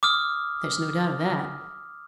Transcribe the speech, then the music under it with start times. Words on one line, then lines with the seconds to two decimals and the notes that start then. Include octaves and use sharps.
There is no doubt of that.
0.03 D6 D#6 F6